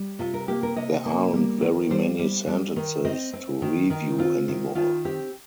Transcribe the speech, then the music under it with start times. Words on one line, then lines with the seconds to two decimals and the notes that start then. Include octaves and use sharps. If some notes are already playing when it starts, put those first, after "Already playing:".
There aren't very many sentences to review anymore!
Already playing: G3
0.19 C3 F4
0.34 A#4
0.48 A#3 G4
0.63 A#4
0.76 C3 D#5
1.06 A#3
1.33 G3
1.62 D#3
1.90 G3 C5
2.19 G3
2.47 G3
2.76 D#3
3.05 C4 D#5
3.33 C4
3.62 D#3
3.90 D#3
4.19 C4 F4
4.48 D#3
4.75 D#3 F4
5.05 C4 G4